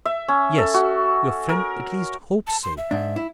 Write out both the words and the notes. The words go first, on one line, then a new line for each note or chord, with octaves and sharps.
"Yes--your friend at least hopes so."
E5
C#4
A4
F#4
A#4
A5
C6
E5
G#2 D4
E4